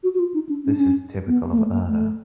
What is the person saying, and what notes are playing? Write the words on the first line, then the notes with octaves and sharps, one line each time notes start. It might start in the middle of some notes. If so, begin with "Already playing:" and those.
This is typical of Erna.
F#4
F#4
F4
D#4
D4
C#4
D4
C#4
B3
A#3
A3
A#3
A3